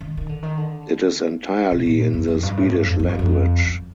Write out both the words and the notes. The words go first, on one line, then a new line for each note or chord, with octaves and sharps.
It is entirely in the Swedish language.
D#3
D#3
D3
D#3
D3
C3
A#2
G2
F2
F2
G2
A2
G2
F2
F2
G2
F2
F2